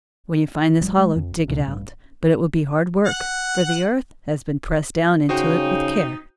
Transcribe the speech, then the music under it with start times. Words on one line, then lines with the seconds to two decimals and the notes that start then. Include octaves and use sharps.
When you find this hollow dig it out; but it will be hard work, for the earth has been pressed down into it with care.
0.81 A1 F3 G3
0.98 G#3
1.16 F2
1.31 G#1
1.48 C#2 A2 C3
1.67 A1 G2
3.06 F#5
5.29 C#3 D#4 F#4 C5 G5